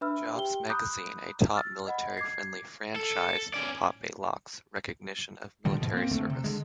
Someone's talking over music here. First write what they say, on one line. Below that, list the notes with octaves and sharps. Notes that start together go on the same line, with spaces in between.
Jobs Magazine a top military friendly franchise for Pop-A-Lock's recognition of military service.
D4 B4 E5 B5 E6 F6
G4 G5 G7
A#5 B5 D6 D#6 F#6 G6
E6 F6 A6
D#5 F#5 B5
D6 G#6 C7
A4
C#4 D5
A#2 D3 D#3 G3
G#2 B2 F3
A#3 C4
F2 D3 A3 C4
C3
D3 G#3